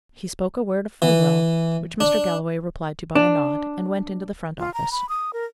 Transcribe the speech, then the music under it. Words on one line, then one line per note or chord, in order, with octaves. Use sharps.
He spoke a word of farewell, which Mr. Galloway replied to by a nod, and went into the front office.
E3
D4
D4
F4
A#5
B5
D#6
A#4